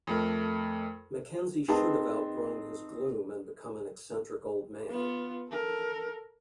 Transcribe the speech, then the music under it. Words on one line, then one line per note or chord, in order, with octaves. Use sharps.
Mackenzie should have outgrown his gloom and become an eccentric old man.
F2 A3 A#4
C4 D#4 G#4 A#4 B4 A5
B3 F4
A4 A#4